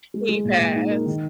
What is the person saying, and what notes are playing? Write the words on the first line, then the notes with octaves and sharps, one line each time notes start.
he passed.
G#3
G#3
A#2
A#2
D#4
A#4
D#3